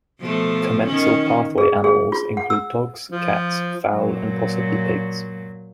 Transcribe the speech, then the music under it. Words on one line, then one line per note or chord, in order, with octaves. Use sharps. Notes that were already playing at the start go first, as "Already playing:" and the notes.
Commensal pathway animals include dogs, cats, fowl, and possibly pigs.
B2 F3 A3
D#3 C#4
G#4
G#4
F4
F#5
E6
F3
A#2 F#3